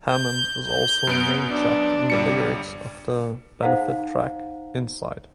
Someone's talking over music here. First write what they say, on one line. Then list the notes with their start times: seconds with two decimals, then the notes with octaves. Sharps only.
Hammond is also namechecked in the lyrics of the "Benefit" track, "Inside".
0.10 G6
0.66 G6
1.07 F#2 B3 D7
1.50 D4
2.10 G1 G3 C#7
3.62 D#4 C5 F5 F#5 A#5